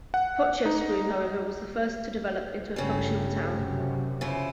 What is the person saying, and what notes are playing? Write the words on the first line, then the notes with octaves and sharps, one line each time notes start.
Potchefstroom however was the first to develop into a functional town.
F#5
D#4
G1 C#3 G3 A3
F#2 C3
C#3 F3 E4